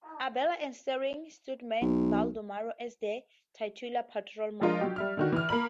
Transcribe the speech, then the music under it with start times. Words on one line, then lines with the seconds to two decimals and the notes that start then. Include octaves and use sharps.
Abella and starring stuntman Baldo Marro as the titular patrolman.
1.81 B1
4.61 F3 G#3 D4 F4 A#4 D#5
4.81 F#3 G4
4.96 G3 E5 F6
5.17 D3 D#3 F#4
5.32 E3 F6
5.49 A#3 A#5 B5 F#7